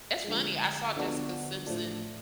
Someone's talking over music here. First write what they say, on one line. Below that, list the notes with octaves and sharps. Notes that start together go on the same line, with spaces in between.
it's funny, I saw Jessica Simpson,
D3 F3 G#3
D3 F3 B3 D4 F#4
A2 F3 A3 D4